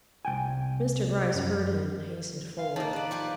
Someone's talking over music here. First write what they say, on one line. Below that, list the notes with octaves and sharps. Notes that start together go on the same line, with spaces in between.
Mr. Gryce heard him and hastened forward.
C2 C#3 G5 G#5
F#2 C#4
F5
D#3 A#3 A5
B4 D5
F3 G4 B4